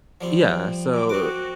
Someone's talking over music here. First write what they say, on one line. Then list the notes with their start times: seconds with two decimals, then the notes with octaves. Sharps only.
Yeah, so
0.21 F3 G3 C4
0.94 F#2 D6
1.10 C4 F#4 D6